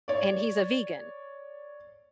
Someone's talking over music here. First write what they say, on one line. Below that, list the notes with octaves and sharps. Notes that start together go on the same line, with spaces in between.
and he's a vegan.
C#5 D5